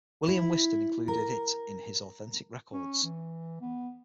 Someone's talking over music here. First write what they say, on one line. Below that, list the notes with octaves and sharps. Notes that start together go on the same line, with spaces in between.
William Whiston included it in his Authentic Records.
E4
A#4
C#4
E3
B3